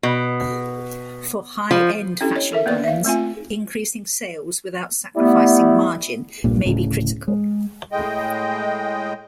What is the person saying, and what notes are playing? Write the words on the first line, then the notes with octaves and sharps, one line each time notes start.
For high-end fashion brands, increasing sales without sacrificing margin may be critical.
B2
F3
C#4 D4 E4 G4 A4
C#5 D#5
A4 A#4 E5
A#3 B3 B4 D5
E5 F5
A3 C4 F4 G#5
G3 A3 B3 E4
A#1 G2 A#2
D1 A2 C#3
G#3
A2 G#3 D#5 G5